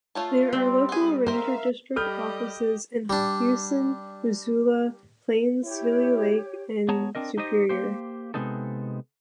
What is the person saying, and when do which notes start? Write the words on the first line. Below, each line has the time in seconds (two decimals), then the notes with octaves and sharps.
There are local ranger district offices in Huson, Missoula, Plains, Seeley Lake, and Superior.
0.15 A3 F4 C#5 A5
0.53 G3 C4
0.89 B3 G#4
1.27 D#3 A#4 C5 E5 F5
1.96 G3 G4 A4 D#5 B5 F6 G6
3.10 G3 D4
5.64 E4 G4 C#5
6.89 B3 G#4 C#5 A5 A#5
7.15 C4 D4 A#4 D#5
7.38 D#4 G4 C5 D#5
7.69 A#3 G4 C5
8.34 C3 E3 G#3 B3 D#4 A4